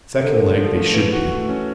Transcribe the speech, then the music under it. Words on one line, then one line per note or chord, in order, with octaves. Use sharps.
Secondleg they should be.
D3 A4
A#4
D3 A4
F3
A3
E3 B4
F#4
A3
C#4